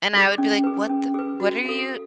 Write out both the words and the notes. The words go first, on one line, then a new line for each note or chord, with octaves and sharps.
And I would be like, "What the what are you
G#4 D5
C#4
G#4 B4
C#4
G#4 B4
F#4
A4 F5